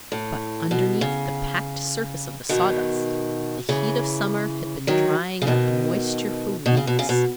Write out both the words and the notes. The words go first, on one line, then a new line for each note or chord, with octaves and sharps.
But underneath the packed surface of the sawdust, the heat of summer had been drying out the moisture for weeks.
A2
B2
C#3
B2 D#3
C#3 E3
D#3 F#3
C#3
B2 D#3
B2
C#3
B2
C#3
B2